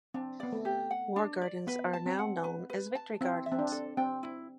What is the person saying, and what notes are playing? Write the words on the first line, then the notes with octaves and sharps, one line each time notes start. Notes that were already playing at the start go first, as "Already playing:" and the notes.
War Gardens are now known as Victory Gardens.
C4 D4
B3 D5
A3
G4
F#5
D4
D5
B3 B4
A5
C4
F#5
B4
B4
A5
C4 E4
E5
C4
D4
A4
C4 G5
E4